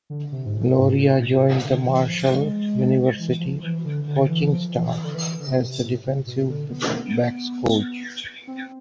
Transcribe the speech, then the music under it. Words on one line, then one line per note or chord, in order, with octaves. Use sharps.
Loria joined the Marshall University coaching staff as the defensive backs coach.
D3
C3
G#2
A2
G#2
A2
B2
D3
E3
F3
G#3
E3
F3
E3
D3
D3
E3
F3
E3
E3
D3
E3
D3
C3
B2
C3
A2
B2
D3
B3
A3
B3
C4